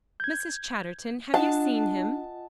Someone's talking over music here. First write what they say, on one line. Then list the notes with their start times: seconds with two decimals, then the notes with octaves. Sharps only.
"Mrs. Chatterton, have you seen him?"
0.20 G6 G#6
1.34 D4 F4 D#5 F#5 A5